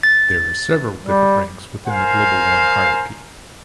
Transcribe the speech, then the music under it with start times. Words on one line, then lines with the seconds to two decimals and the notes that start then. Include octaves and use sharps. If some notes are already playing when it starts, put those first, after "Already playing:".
There are several different ranks within the Global One hierarchy.
0.03 A6
1.03 G3
1.87 A#4 C5 F5 G#5